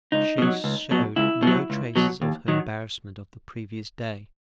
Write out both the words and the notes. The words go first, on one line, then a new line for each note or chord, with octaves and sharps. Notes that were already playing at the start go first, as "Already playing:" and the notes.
She showed no traces of her embarrassment of the previous day.
C#2 D#4
B2 F#3
C#2
B2 F#3
C#2 E4
B2 F#3
C#2
B2 F#3
D#2
D#3 F#3